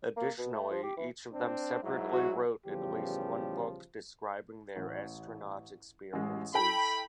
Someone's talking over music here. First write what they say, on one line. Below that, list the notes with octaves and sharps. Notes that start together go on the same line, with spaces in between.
Additionally, each of them separately wrote at least one book describing their astronaut experiences.
A#3
B2
A3
F3
G4
E3
C4 D4
G#2 F#3 E4
F#4
A1 E2 C#3 F3 G3 G4
A1
A1 G#3
E4 A4 G5 B5